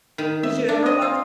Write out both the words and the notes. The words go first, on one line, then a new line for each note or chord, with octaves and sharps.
Did you ever watch
D#3
E5
D4
D#5
F4